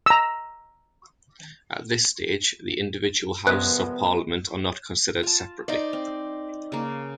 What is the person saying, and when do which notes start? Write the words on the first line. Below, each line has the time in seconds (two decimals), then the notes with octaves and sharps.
At this stage, the individual houses of parliament are not considered separately.
0.06 A#5 E6
3.47 C2 F3 G#3 B3 B4 F#6
5.23 F4 A5
5.68 D#4 C5 D5
5.93 C4
6.72 C#3 A#3